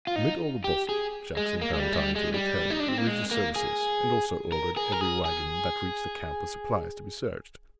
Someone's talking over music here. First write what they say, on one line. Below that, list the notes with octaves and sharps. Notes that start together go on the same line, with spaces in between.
Amid all the bustle Jackson found time to attend religious services, and also ordered every wagon that reached the camp with supplies to be searched.
F4
D#4
G4
G#4
G#3
A#3
G#3
G3
G#3
G3
G#3
G3
D#4
D4
C4
A#3
G#3
A#3
G#4
A#4
G#4
A#4
G#4
G#4